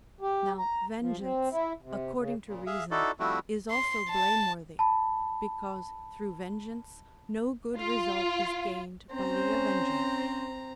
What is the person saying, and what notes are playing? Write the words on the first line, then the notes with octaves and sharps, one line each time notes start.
Now vengeance, according to reason, is also blameworthy, because through vengeance no good result is gained by the avenger.
G4
A#5
F3
C4
E4
C3
C#3
A#2 C#3
G#4 E5 F5
D#4 E4 F#4 A4 D5
F3 G3 A3 C4 E4 F#4
C6
A5
A5 B5
F4
C4 C#4 C5 A#5